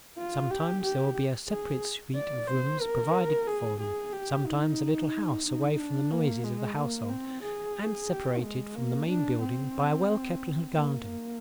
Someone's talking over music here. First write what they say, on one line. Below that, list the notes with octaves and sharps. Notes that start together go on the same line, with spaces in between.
Sometimes there will be a separate suite of rooms provided for them; sometimes a little house away from the noises of the household, and separated from the main building by a well-kept little garden.
F4
G4
G4
G#4
D5
C5
A#4
G#4
G#4
G4
D#4
D#4
D4
A#3
G#3
A#3
C4
G#4
G4
G#3
A#3
D4
C4
A#3
A#3